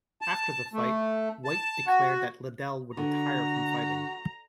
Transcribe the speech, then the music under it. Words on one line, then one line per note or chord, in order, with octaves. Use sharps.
After the fight, White declared that Liddell would retire from fighting.
A5
A3
A5
F#4
D3 F#4 A#5